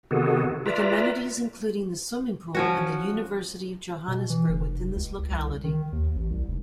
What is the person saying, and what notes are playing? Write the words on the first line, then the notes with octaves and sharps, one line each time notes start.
With amenities including the swimming pool and the University of Johannesburg within this locality.
C3 D#3 B3 F#4 G#4 A4
F4 B4 D5 E5 A#5
F3 C#4 F#4
B2
E3
F1
C#2
C2
D#3
D#2
A1
C2
F1